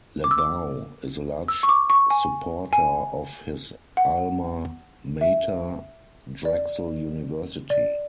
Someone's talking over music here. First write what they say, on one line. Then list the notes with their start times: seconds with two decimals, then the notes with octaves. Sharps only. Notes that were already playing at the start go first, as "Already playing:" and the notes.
LeBow is a large supporter of his alma mater, Drexel University.
0.24 D6
0.31 E6
0.38 D6
1.48 E6
1.63 C#6
1.69 D6
1.90 C#6
2.10 G#5
2.73 G#5
3.97 F#5
5.21 E5
6.45 D5
7.70 D5